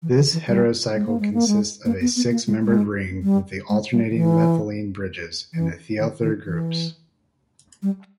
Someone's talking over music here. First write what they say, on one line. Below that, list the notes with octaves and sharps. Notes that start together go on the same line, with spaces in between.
This heterocycle consists of a six-membered ring with alternating methylene bridges and thioether groups.
E3
E3
E3
G3
G#3
A#3
G#3
A#3
G#3
A#3
B3
B3
A#3
G#3
G#3
G3
G#3
G3
D#3
E3
E3
D#3
D#3
E3
G3